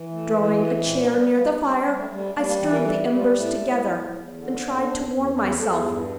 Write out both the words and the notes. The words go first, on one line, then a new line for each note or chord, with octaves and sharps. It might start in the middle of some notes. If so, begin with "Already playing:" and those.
Drawing a chair near the fire, I stirred the embers together, and tried to warm myself.
Already playing: E3
A3
E3 A3
A3
A#2 C4
D4
G3
C4
G3 A#3
G3
G3 A#3
A3
G3 A3
G3 A#3
A#3
E3 C4
A#4
G3 A4
G4
G3
F4
A2 A3
A2
E2
E2
D3
E2
E2 D4
E2
E2 D4
E4
E2 A4
A4
G2 F4
E4